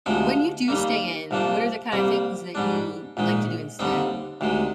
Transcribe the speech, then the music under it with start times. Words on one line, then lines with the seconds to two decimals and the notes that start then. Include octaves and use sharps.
when you do stay in, what are the kinda things that you like to do instead?
0.06 D2 C3 F3 G#3 D#4
0.68 D#2 D#3 G3 A#3
1.31 C2 C3 F3 A#3 D4
1.92 C2 C3 G3 A#3
2.55 G#2 G3 D4
3.17 A#1 G#2 D#3 G#3
3.79 D#2 D3 G3 C4 D#4
4.41 D2 C3 D#3 G#3